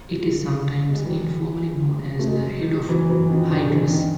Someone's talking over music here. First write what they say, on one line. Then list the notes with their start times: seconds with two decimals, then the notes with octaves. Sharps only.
It is sometimes informally known as the Head of Hydrus.
0.90 G#3
0.98 G3
1.06 E3 F#3
2.19 A3
2.28 F#3 G#3
2.89 E3 F#3
3.09 E3 F#3
3.30 D#3 F3
3.50 D3 E3
3.71 D3 E3
3.90 D#3